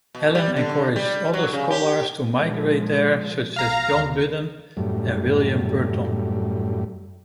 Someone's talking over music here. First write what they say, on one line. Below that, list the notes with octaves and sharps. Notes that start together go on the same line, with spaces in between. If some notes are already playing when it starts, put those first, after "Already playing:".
Allen encouraged other scholars to migrate there, such as John Budden and William Burton.
B2
G3
D3
G3
F#3
C#3
G4
A#2 F3 G#3
B1 F5 A#5
D#2 D3
F#2 A2 G3